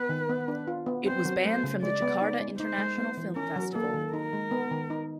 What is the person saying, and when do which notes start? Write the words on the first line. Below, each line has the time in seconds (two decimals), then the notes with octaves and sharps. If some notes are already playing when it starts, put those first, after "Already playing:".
It was banned from the Jakarta International Film Festival.
Already playing: B3 B4
0.09 D#3
0.29 B3
0.48 D4
0.67 F4
0.86 B3
1.06 C4 C5
1.25 F#3
1.44 A3 C5
1.63 C#3
1.82 G#3 D5
2.02 B3
2.21 D#4
2.40 G#3
2.59 D#4 C5
2.78 G#3
2.98 B3
3.17 E3
3.36 C#4 A#4
3.56 F#3
3.74 A#3 A4
3.94 D#3
4.13 D#4 A#4
4.33 G#3
4.51 B3
4.71 D#3
4.90 D#4